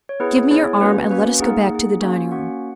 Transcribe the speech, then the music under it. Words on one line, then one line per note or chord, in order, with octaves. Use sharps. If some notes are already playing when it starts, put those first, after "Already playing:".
Give me your arm and let us go back to the dining-room.
C#5
B3 E4 G#4 B4
B3 E4 G#4 C#5
A#3 C#4 F#4 B4
A#3 C#4 F#4 B4
A#3 D#4 G#4 F#5
A#3 D#4 G#4
A#3 C#4 F#4
A#3 C#4 F#4 F#5